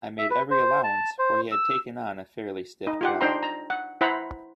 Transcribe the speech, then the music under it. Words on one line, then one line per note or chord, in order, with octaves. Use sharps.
I made every allowance, for he had taken on a fairly stiff job.
E5
B4
C5
A5
C5
E6
D#4
F4 G4 F#5
D4 D#4 C5 G5 A#5 C6
A#5
F#5
E4 C5 F#5 A#5 B5